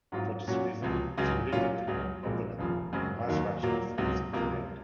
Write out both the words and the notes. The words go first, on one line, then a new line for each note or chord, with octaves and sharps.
For this reason the related term propellant mass fraction, is used instead.
G#2 F#3 C4 F4
A#2 F#3 C#4 F#4
C#2 C3 F3
C#2 C#3 F#3
A#2 F#3 C#4 F4
C#2 C#3 F#3
A#1 A#2 G#3 C4
F1 D#2 C#3 F3
F#2 C#3 G#3 C4 F#4
D#2 D#3 F#3
A#2 F#3 A#3
C#2 C3 F#3
C#2 C3 F3 A#3